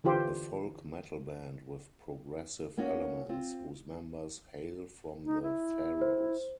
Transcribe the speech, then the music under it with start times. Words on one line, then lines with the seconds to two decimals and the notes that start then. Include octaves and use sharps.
A folk metal band with progressive elements, whose members hail from the Faroes.
0.04 D3 E3 F4 G4 C5
2.77 A#3 C#4 D#4 F#4
3.29 C4 F4
5.25 D#4
5.43 E4
6.01 C5